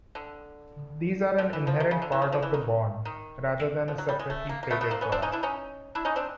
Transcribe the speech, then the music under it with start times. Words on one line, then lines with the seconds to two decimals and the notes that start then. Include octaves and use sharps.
These are an inherent part of the bond, rather than a separately traded product.
0.15 D3
1.38 D3
1.53 E3
1.67 F3
1.80 C3
1.91 C#3
2.02 D3
2.12 E3
2.22 F3
2.32 F3
2.42 E3
2.54 D#3
3.05 D#3
3.88 F3
3.98 F#3
4.09 G3
4.19 G#3
4.30 A3
4.49 A#3
4.63 A#3
4.70 A3 B3
4.81 A3 B3
4.91 A#3 C4
5.01 B3 C#4
5.12 C4 D4
5.22 C#4 D#4
5.32 D4 E4
5.43 C#4 D#4
5.95 D4 E4
6.05 C#4 D#4
6.16 C4 D4